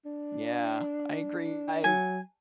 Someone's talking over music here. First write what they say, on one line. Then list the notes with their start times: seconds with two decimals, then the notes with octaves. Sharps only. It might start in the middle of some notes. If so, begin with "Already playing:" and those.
Yeah, I agree. I
0.05 D4
1.84 F#3 G#5